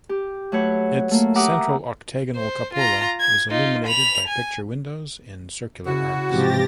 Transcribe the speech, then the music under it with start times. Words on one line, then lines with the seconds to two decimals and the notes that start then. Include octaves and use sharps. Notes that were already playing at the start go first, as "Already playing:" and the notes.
Its central octagonal cupola is illuminated by picture windows in circular arcs.
0.09 G4
0.52 F#3 A3 B4 C#5 F#5
1.11 A3 A#3
1.35 G4 E5 F#5 A#5 D6 D#6
2.36 C5
2.73 F4 A#5
3.20 G#6
3.51 D#4 F4
3.86 B5 F7
4.28 G#5
5.87 C#3 E4 F#4
6.31 G#2 C3 E3 F3 G4 A6 A#6